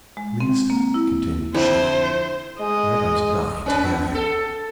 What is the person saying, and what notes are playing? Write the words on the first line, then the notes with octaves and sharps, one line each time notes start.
"At least," continued she, "let us die together."
G#3
C4
A#3
E4
F2 D3 E4 C5
G#3 D#5
C#4 D4 B4
B3
A4